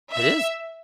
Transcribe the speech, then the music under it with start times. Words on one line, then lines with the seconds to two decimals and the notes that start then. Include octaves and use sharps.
It is.
0.13 E5